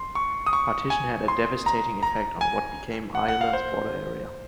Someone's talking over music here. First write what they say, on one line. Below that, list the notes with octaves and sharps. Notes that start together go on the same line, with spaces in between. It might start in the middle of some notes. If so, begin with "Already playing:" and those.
Partition had a devastating effect on what became Ireland's border area.
Already playing: C6
C#6
D#6
C#6
G#5
C6
A#5
A#5
G#5
F#5
F#5
F5
C5